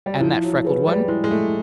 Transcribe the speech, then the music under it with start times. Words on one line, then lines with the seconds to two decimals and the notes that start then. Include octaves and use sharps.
"And that freckled one?"
0.06 G3
0.14 F#3
0.21 F3 E4
0.44 F#3
0.65 F#3 G#4 B4
0.87 G3
1.08 G#3 E4
1.24 G#3
1.31 A3